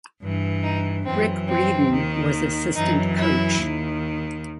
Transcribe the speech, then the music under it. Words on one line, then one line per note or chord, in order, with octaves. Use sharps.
Brick Breeden was assistant coach.
G2 E3
D#4
F#2 E3 C4
C4
D#2 D#3
F#2 E3 D#4
E4
D#2 D#3